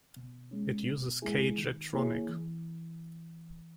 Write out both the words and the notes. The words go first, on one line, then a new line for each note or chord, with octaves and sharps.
It uses K-Jetronic.
B2
G#3 C#4
B2
G#3 B3 E4 G#4
D#3
A#3 E4 G#4 C#5
E3